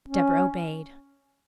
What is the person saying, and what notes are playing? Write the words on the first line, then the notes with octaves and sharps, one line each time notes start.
Deborah obeyed.
C#4